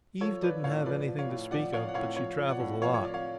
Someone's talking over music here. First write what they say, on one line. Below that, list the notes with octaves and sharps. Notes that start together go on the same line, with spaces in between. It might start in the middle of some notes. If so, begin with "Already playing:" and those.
Eve didn't have anything to speak of, but she travelled a lot.
F3 A4 C#5
F3 B4 D5
A2 C#5 F5
F3 B4 D5
F3
C#5 F5
A2
F3 D5 F#5
F3 C#5 F5
F#5
A2 C#5 F5
F3 C#5 F5
F3
D5 F#5
A2
F3 C#5 F5
C#5
F3 D5
C#5 F5